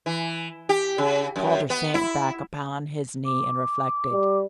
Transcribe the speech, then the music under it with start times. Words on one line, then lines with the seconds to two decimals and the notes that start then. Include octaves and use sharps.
Calder sank back upon his knee and reflected.
0.06 E3
0.69 G4
0.98 C#3
1.36 F#2
1.70 B3
1.94 E4
3.25 D6
4.12 G3